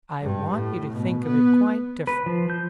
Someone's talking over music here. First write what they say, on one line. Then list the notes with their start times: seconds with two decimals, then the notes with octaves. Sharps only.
I want you to think of it quite differently.
0.22 G2
0.51 A2
0.93 B2
1.24 B3
2.07 B4
2.26 F3
2.50 G6